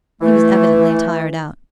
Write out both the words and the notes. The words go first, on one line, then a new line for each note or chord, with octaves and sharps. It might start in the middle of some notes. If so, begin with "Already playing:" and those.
He was evidently tired out.
E3 A3